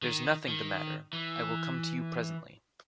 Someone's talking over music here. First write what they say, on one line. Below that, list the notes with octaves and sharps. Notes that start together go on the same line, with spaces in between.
There's nothing the matter; I will come to you presently.
D#3
D#3
E3